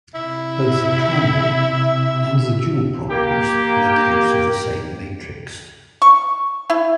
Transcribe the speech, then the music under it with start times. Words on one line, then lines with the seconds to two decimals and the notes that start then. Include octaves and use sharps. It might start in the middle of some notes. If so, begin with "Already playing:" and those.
Both the primal and the dual problems make use of the same matrix.
0.15 C3 E4 E5
3.10 A#3 G4
6.02 C#6
6.70 E4